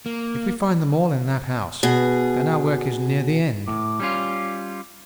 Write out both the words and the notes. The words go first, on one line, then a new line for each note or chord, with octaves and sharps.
If we find them all in that house, then our work is near the end.
A#3
B2 G#4
A2 D6
G3 C#4 F4